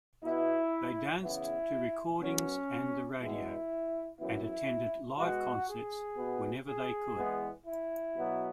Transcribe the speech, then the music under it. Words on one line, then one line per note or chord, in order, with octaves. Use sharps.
They danced to recordings and the radio, and attended live concerts whenever they could.
B2 B3 E4
E2 C#3 E3 B3 E4
F#2 F#3 B3 C#4
E2 B2 G#3 B3 E4
F#2 E3 B3 E4
B2 G#3 B3 F#4
G#4
B2 B3
G#4
E2 E3 G#3 B3
E4
B2 F#3 B3